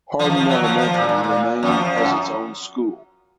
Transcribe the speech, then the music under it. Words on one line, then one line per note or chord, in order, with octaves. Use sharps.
Hardin Elementary remained as its own school.
F3
D#3
F3
F#3
F3
F3
A#2
A#2
A#2
F#2
F3
F#2